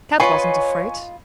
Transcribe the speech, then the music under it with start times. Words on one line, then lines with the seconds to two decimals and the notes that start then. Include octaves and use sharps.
Kat wasn't afraid.
0.20 F4 B4 C#5 D#5 G#5 C#6 C7